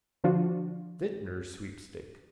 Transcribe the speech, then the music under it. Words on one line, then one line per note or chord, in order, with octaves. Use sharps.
Vintners' sweepstake.
D3 F3 D4 F4 F#4